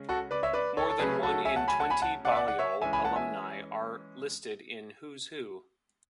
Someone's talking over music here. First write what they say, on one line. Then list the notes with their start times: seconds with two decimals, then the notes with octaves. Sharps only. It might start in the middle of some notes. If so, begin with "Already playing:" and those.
More than one in twenty Balliol alumni are listed in "Who's Who".
Already playing: C#3 G#3 C#4
0.09 F#4 A4
0.31 B4 D5
0.43 C#5 E5
0.53 B4 D5
0.77 A4 C#5
0.90 A4
0.99 C#3 F#3 A3 C#4 G#4 B4
1.23 F#4 A4
1.45 E5 G#5
1.56 F#5 A5
1.68 G#5 B5
1.80 F#5 A5
1.90 G#5 B5
2.02 F#5 A5
2.25 D5 F#5
2.32 E5
2.36 D5 F#5
2.48 F#5
2.59 C#5 E5
2.81 E3 G#3 C#4 E5 G#5
2.93 G#5 B5
3.04 F#5 A5
3.16 E5 G#5